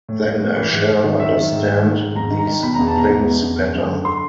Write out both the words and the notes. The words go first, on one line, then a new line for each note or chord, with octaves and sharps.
Then I shall understand these things better.
A2
A2
A2
E3
G#2
G#2
D#3
D#3 E5
D#3
G#2
G#2
D#3
G#2
G#2 A#5
D#3
A#5
D#3
B2 B5
A#5
E2
A5
B2 A#5
E2
B2
E2
F#2
F#2
D3
C6